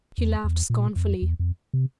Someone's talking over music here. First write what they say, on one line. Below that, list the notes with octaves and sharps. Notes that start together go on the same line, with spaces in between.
She laughed scornfully.
E2
E2
A#2
F2
E2
F2
C3